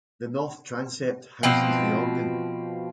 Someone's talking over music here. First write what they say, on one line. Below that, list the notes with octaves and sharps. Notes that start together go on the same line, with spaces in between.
The north transept houses the organ.
B2 F3 C4